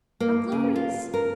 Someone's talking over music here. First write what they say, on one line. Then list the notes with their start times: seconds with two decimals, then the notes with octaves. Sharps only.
How glorious!
0.20 A#3
0.52 C#3
0.76 F4
1.14 A#4